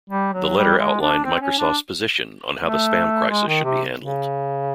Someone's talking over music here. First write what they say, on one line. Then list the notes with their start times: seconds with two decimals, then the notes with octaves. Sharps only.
The letter outlined Microsoft's position on how the spam crisis should be handled.
0.10 G3
0.33 F#3
0.56 G3
0.79 G#3
1.01 D4
1.24 C4
1.41 C#4
1.58 D4
2.61 A3
3.29 G#3
3.47 D#3
3.64 C3
3.99 C#3